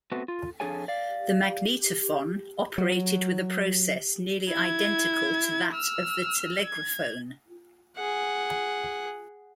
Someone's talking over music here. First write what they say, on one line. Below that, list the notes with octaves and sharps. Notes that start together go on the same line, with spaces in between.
The magnetophon operated with a process nearly identical to that of the telegraphone.
A3 B3 C4 F#4 B4
F4
F2 D4 G#4 A4 C#5 G#5
D5 F5
F#3
E4 G#6
E6 F6
G#6
G#4 F#5